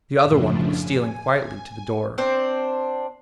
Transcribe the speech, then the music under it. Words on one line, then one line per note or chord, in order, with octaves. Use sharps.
The other one was stealing quietly to the door.
F#2 A2 C#3 F3 A3 D4
G#5
C4 D4 C5